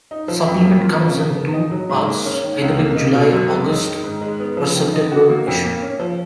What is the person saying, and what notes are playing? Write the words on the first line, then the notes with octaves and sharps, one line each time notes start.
The supplement comes in two parts either in the July, August, or September issue.
D#4
F3
F2
A#3
F4
F3
C#3
B3
D#4
F#3
G#2
A#3
C#4
D#3
C#2
A#3
D#4
B2
F#2
G#3
D#4
D#3
G#2
G#3
B3
F3
D#3
D#4
F#4
A#3
F2
A#3
C#4
F3